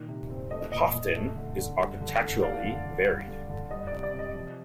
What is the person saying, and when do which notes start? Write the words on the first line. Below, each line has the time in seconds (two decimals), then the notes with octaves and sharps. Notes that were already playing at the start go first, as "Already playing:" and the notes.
Houghton is architecturally varied.
Already playing: A#2 D#3
0.08 C3
0.29 C4
0.51 A3 D#5
0.72 A#2 D#5
0.93 A#2
1.15 A3
1.36 D3
1.57 D3
1.79 G3
2.00 D3
2.21 D3
2.43 A3 D5 F5
2.64 D3
2.85 D3
3.07 G3
3.28 D3
3.49 D3
3.71 G3 D#5
3.87 C3 D5
4.03 D5
4.14 C3 D#5
4.35 F3